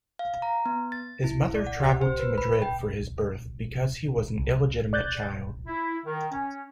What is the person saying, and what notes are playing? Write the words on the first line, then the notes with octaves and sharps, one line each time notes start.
His mother travelled to Madrid for his birth, because he was an illegitimate child.
F5
A#5
B3
A6
E4
D5
F#5
G4
C5
B4
B5
G5
C2
D5 F#6 G6 A6
E4
D#3
C#4